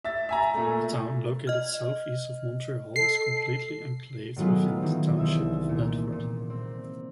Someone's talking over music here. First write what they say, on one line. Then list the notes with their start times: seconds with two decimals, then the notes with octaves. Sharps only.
The town, located southeast of Montreal, is completely enclaved within the township of Bedford.
0.04 E5 A6
0.29 E5 G#5 A#5
0.54 A#2 A3
1.47 D#5 F6
2.96 A4 C7
4.36 A2 D#3 F#3 G#3 B3 F4
4.82 D#3 E3
5.17 C2 E5 D#6
5.69 A#2
6.12 A#2
6.50 C4